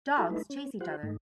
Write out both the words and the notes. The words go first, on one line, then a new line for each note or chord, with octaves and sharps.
Dogs chase each other.
E4 F#4 A4
A3 D#4 E4 B4
C#4
F4 G4 C5 F#5
G#2 A3 D#4